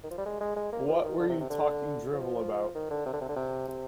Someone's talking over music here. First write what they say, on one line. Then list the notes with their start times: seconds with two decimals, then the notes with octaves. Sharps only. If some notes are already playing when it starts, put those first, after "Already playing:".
What were you talking drivel about?
0.03 D#3
0.11 F3
0.18 G3
0.25 G#3
0.40 G#3
0.56 G#3
0.72 A#3
0.88 F3
1.04 D#3
1.19 D3
1.29 C3
1.40 C3
1.50 D3
2.13 F3
2.75 D#3
2.90 D3
3.06 C3
3.13 D3
3.21 C3
3.29 D3
3.36 C3
3.68 C3